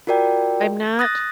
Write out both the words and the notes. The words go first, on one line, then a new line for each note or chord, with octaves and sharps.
I'm not
F4 F#4 A#4 D5 G5
D#6 F#6 A6 A#6